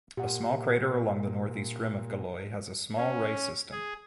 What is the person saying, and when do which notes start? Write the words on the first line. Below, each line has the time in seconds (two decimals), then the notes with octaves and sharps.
A small crater along the northeast rim of Galois has a small ray system.
0.17 A#2 G4 F#5
2.97 C#4
3.72 G#4